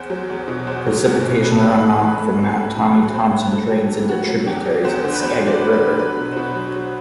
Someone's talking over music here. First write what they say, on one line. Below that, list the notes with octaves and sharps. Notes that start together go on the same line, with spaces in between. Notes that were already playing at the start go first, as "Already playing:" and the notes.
Precipitation runoff from Mount Tommy Thompson drains into tributaries of the Skagit River.
Already playing: E2 C5
F#3
E2
B2
E2 C5
F#3
E2
B2
A2 B4
A4
G3 B4
A2
E3
A2 A4
G3
A2 A4
E3
F#3 B4
A2 C5
A2 C5
F#3 A4
F#3 G4
A2
A2 F#4
F#3
E2 G4
F#3
E2 C5
D3
B4
E2 C5
F#3
D5
E2
B4
D3
F#3 B4
B2
C5
B2 B4
F#3
F#3